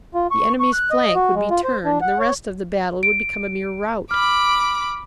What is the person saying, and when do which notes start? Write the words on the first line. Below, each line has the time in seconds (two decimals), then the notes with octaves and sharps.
The enemy's flank would be turned, and the rest of the battle would become a mere rout.
0.14 F4
0.31 C#6
0.60 C#6
0.73 F#6
0.91 D#5
1.15 F#4
1.35 G#3
1.50 F4
1.64 C5
1.85 D4
2.01 F#5
2.19 C#5
3.03 D7
4.11 B5 D6 F6